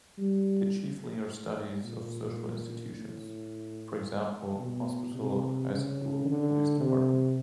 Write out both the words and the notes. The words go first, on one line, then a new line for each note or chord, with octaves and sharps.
They chiefly are studies of social institutions: for example, hospital, high school, police department.
G3
A#2
A2
B2
C3
C#3
D3
C3